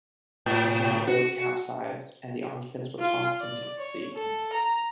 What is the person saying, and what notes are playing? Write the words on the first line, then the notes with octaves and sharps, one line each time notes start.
The small boat capsized and the occupants were tossed into the sea.
A2
F#4
F4
D5
C#5
A4
A#5